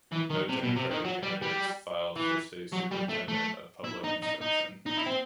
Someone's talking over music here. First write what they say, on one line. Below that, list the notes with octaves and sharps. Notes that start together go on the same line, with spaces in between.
No Democratic candidates filed for State Superintendent of Public Instruction.
E3
D#3
C3
B2
C3
D#3
F#3
G3
G3
E3
F#3
G3
A3
A3
E4
D#4
D#4
D#4
D#4
E4
C4